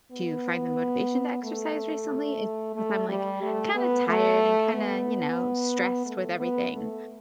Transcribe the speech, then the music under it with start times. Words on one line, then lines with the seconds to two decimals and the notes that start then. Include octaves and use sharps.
to find the motivation to exercise recently is because I'm, like, kinda tired and kinda, you know, stressed with everything,
0.12 B3
1.43 A3
2.76 A3
3.08 G3
3.42 A3
3.74 B3
4.08 A3
4.74 B3
6.06 A3
6.39 B3
6.72 A3